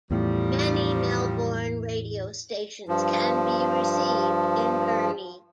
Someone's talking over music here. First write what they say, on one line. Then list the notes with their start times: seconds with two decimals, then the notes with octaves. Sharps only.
Many Melbourne radio stations can be received in Burnie.
0.11 E2 A2 D#3 F3 G3
2.88 G2 F3